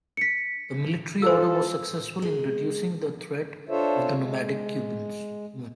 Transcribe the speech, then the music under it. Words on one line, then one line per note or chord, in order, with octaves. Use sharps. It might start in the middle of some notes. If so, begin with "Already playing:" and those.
The military order was successful in reducing the threat of the nomadic Cumans.
B6 C#7
F4 A4 C5 E6
G#3
D4 F4 A4 C5 C#5 E5
G#3